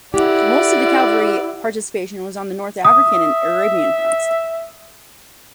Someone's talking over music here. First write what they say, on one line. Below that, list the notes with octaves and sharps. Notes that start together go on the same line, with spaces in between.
Most of the cavalry participation was on the North African and Arabian fronts.
E4 G4 D5 F#5
E5 D#6